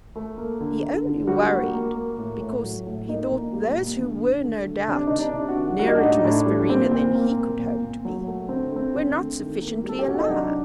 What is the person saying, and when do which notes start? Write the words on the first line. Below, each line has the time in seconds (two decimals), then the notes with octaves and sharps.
He only worried because he thought those who were no doubt nearer to Miss Verena than he could hope to be were not sufficiently alive.
0.16 A3
0.38 A#3
0.60 D3
0.83 D3
1.05 D3
1.27 G3 F#4
1.51 A#3
1.74 A#3
1.95 A#3
2.18 A2
2.41 A2
2.63 F#3
2.86 A2
3.08 A#3 D#4
3.31 A#2
3.53 G3
3.76 A#2
3.98 D3
4.20 D3
4.43 A3
4.65 D3
4.88 C3 D4
5.07 C3 D#4
5.19 D4
5.33 C3
5.48 F#4
5.56 D#3
5.79 G3 F#4
5.88 D#4
5.95 D4
6.01 A2 D#4
6.24 A2 D4
6.46 G3
6.68 A#2 C4
6.91 A#2 C4
7.15 A#3
7.37 A#3
7.58 A#2
7.81 A#2
8.05 F#3
8.27 A3
8.49 D3 C4
8.72 A3 C4
8.95 D3
9.17 A3
9.39 D#3
9.61 A#3
9.84 G3
9.89 A4
9.99 G4
10.07 C3 F#4
10.19 D#4
10.29 F#3 D4